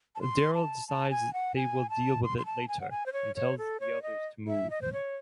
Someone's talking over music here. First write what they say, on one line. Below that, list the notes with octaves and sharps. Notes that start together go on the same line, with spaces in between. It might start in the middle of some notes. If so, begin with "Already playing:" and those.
Daryl decides they will deal with it later and tells the others to move.
A5
C6
A5
A5
G#5
F#5
G#5
A5
C6
C6
A5
G#5
F#5
G#5
C5
C#5
C#5
A4
C#5
D#5
E5
D#5
C5
C#5